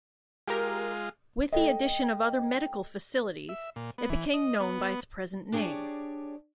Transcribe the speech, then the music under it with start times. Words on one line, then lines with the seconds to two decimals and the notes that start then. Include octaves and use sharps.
With the addition of other medical facilities, it became known by its present name.
0.48 G#3 F4 G4 A#4
1.52 A3 D#5 G5
3.49 E5
3.76 A#2
3.98 B3
4.10 E3
4.34 D#5
4.60 B3
5.52 D4 G4 G#4 C#5 D5